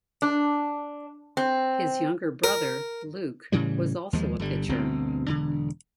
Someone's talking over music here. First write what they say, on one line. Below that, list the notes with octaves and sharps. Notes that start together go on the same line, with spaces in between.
His younger brother, Luke, was also a pitcher.
D4
C4
A#4
A2 C#3 E3 G3
D#2 F3 G#3
G1 D3 G3
G1 D2 B2 C4
E1 D3